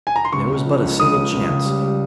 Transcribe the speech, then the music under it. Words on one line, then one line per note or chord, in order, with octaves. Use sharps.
There was but a single chance.
G#5
A#5
C6
C#2 C#6
C#2
F3
C#2
C#2 D#6
C#2
C#2
C#2
G3
G3